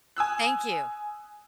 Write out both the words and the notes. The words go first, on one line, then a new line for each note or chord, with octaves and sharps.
thank you.
G#5 D#6 E6 F#6